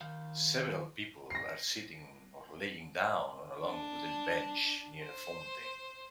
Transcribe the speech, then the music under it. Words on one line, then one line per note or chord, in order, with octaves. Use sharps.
Several people are sitting or laying down on a long wooden bench near a fountain.
D#3 F5
A#6 C7
D4
C5